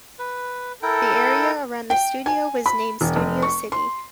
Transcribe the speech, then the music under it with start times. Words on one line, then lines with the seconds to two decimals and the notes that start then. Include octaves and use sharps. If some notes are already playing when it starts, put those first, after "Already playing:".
The area around the studio was named Studio City.
0.19 B4
0.83 E4 A4 A#4 G5
1.90 G5
2.26 G#5
2.66 B5
3.01 E1
3.16 F1
3.42 C#6
3.72 C6